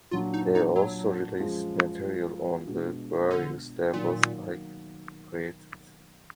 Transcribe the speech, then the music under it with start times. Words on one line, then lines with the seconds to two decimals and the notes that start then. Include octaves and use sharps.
They also released material on the various labels Ike created.
0.11 A#2 F#3 D4 F4
0.33 D#4
0.55 D#4
0.76 F#3
1.39 F#2 F3 G#3
2.67 B2 G#3 D4 F#4
3.31 D3
3.93 A#2 D#3 F#3 A#3